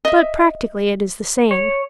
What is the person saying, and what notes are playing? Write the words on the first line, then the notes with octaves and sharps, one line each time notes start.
But practically it is the same.
D#5 E5
C#5